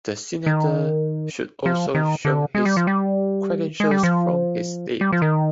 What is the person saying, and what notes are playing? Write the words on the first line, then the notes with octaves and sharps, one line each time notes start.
The senator should also show his credentials from his state.
D#3
F3
D#3
D3
G#3
G3
F3
G3
G#3
G3
F3
G3
F3
D#3